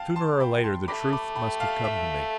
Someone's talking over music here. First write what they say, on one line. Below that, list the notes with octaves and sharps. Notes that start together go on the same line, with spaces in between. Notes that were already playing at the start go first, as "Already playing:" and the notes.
Sooner or later the truth must have come to me.
Already playing: F5 G5 A5
A5 C6
G5 B5
A5 C6
A3 B5 D6
B5 D6
G5 B5
F5 A5
E5